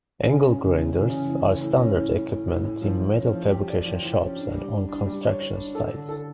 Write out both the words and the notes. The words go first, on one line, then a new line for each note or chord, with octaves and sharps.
Angle grinders are standard equipment in metal fabrication shops and on construction sites.
C#3
C#3
C#3
E3
C#3
C#3
E3
C#3
A2
C#4
A2
A2
A2
A2
A2
F3
F3
C#4
F3
G4
D5
F3
F3
C#4
D4
G3
D4
D4
G3
C#5
C#5
D4
A4
D3
A4